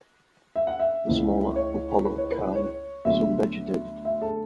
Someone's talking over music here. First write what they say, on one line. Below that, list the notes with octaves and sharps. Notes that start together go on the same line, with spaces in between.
The smaller Upolu Cay is un-vegetated.
E5
F#5
E5
C#2 C#3 E3 A3
C#5
B4
C#5
B4
C#5
D2 D3 F#3 B3 E5
E5
A4